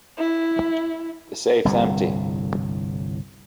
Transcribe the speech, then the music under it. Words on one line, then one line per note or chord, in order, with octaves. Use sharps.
The safe's empty.
E4
G1 C2 A2